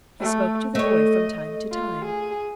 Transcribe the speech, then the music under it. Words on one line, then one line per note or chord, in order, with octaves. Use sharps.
He spoke to the boy from time to time.
A3
A3 C#5 D#5
F4
G#4